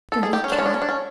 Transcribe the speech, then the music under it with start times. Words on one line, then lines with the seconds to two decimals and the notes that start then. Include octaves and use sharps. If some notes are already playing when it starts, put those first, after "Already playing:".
'Dirty cat!
0.12 A4
0.23 G#4
0.33 G4
0.44 C#4
0.52 D4
0.58 C#4
0.66 D4
0.74 C#4
0.82 D4
0.89 C#4